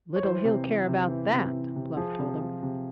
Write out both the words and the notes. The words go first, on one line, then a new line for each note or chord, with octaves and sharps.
"Little he'll care about that," Bluff told him.
C#5
E3 C5
C3
E3
C3
E3
C3
E3
C3
F3 G#4
C3
F3
C3